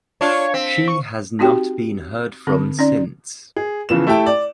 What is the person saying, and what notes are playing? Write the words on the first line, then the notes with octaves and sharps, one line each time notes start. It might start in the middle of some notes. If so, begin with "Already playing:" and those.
She has not been heard from since.
D4 F4 C#5
C4 B6
C#6
C4 D#4 F#4 G4 G5
D3 C4 A4
C#4 D#4 D5
G#4
C#3 E3 F3 B3 E7
A3 E4 G4 E5 G5 A5
D5